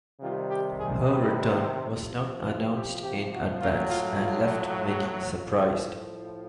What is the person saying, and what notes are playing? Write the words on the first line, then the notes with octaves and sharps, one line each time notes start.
Her return was not announced in advance and left many surprised.
C3 D#3 G3 F4
G4
G#4
B4
C3 F3
G4
G4
F#4
A2 F#3 F4
F4
F4
A2 F3